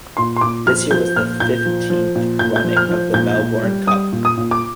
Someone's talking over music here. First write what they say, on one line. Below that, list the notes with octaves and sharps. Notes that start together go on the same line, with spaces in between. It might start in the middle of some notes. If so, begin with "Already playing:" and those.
This year was the fifteenth running of the Melbourne Cup.
A#2 C6
C6
A#2 D6
F3 F6
F3 G6
A#2 F6
A#2 G6
F3
F3
A#2
A#2 G6
G6
F3
F6
F3
A#2 G6
A#2
G3
G3 D#6
A#2
D#6
A#2
D6